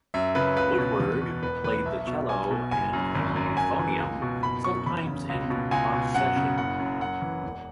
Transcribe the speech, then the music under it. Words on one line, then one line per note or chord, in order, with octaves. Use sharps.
Woodward played the cello, and the euphonium, sometimes in procession.
F#2 E5
C#3 B4
C#2 B4
B2
E2
B2
E1 B4
E2 B4
B1 E5
B2
B1 G#5
B2
F#1 G#5
F#2
G#1
F#2
F#2 G#5
E3
C#2
B2
F#1 B5
F#2 C#6
E2 B5
C#3
C#2
B2
C#2 G#5
B2
F#2 F#5
C#3
F#1 F#5
F#2
F#2 F#5
E3
E1